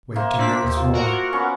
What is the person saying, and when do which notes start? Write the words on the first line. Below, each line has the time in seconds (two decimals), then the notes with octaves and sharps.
"Wait two minutes more."
0.16 A#3 C4 E5
0.38 A#2 C4 D4 B6
0.63 D#2
0.77 F4
0.93 F#4 A#4 F#5
1.33 B3 C#4